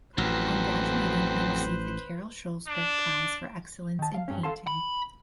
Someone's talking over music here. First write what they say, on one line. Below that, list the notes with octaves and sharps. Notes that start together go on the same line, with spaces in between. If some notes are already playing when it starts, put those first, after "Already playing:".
On graduating he received the Carol Schlosberg Prize for Excellence in Painting.
A1 F2 F#3 B4 C5
D4
D#3 A5
F5
G2 C#4
A4 F5 A5 C6
B5